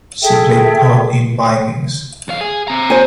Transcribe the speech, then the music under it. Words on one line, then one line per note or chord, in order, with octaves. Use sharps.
She played Aud in "Vikings".
G#4 A4 E5 G5
D2 F5
G#4
C4 A#5
C5 G#5